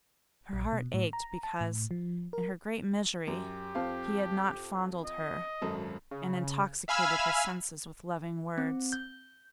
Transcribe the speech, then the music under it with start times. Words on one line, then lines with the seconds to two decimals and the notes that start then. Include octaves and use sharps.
Her heart ached because, in her great misery, he had not fondled her, and intoxicated her senses with loving words.
0.53 A#1
0.73 B2
0.94 A2
1.13 A#5
1.43 A5
1.61 A2
1.91 F3
2.33 A#4
3.27 F#2 G4
3.75 F2 C4 F5
5.04 D#5
5.61 G#1 F#2 A4
6.11 C#3
6.88 E5 F5 G#5 B5 E6 F6
8.58 C4
8.92 G6